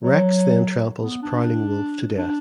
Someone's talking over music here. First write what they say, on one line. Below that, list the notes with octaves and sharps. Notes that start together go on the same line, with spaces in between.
Rex then tramples Prowling Wolf to death.
F#3
B3
D4
D4